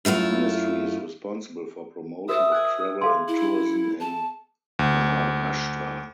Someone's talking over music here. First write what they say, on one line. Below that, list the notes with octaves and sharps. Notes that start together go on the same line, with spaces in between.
Ministry is responsible for promotion of travel and tourism in Maharashtra.
F#2 A3 E4 F4
F#4 A#4 C5 E5 D#6 A6 E7
G#5 F#6 G#6
G#4 A4 F5 C6
E4
C#7
A5
D2